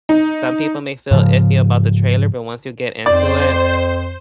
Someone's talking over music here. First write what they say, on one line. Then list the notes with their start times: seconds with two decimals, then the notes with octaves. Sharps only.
some people may feel iffy about the trailer, but once you get into it,
0.09 D#4
1.11 G#2 C#3 F3
3.06 F2 C5 D5